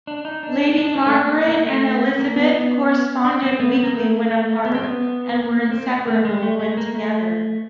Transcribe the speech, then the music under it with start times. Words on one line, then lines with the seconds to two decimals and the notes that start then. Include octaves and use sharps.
Lady Margaret and Elizabeth corresponded weekly when apart and were inseparable when together.
0.07 D4
0.25 D#4
0.43 D4
0.78 D4
0.95 C4
1.06 A3
1.13 A#3
1.48 A#3
1.66 A3
2.19 A#3
2.36 B3
2.55 B3
3.25 D4
3.43 C4
3.60 B3
3.72 B3
3.84 A#3
3.96 A3
4.31 A3
4.65 B3
4.74 C4
4.83 B3
5.71 C4
6.07 A3
6.25 G#3
6.42 A3
6.59 A3
6.77 A#3
6.95 A3